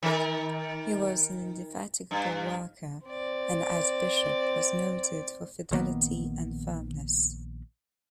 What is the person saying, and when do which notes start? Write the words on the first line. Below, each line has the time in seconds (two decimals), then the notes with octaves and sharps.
He was an indefatigable worker and as bishop was noted for fidelity and firmness.
0.03 D#3 A#4
2.11 G2
3.06 C4 D5
5.71 A#1 D#3 A#3 B3